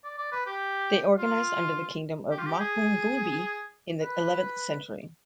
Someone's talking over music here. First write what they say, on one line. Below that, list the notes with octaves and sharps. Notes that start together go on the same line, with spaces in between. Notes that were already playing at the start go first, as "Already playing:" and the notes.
They organized under the Kingdom of Mapungubwe in the eleventh century.
D5
D5
B4
G4
F4
G4
F4
G4
G#4
B4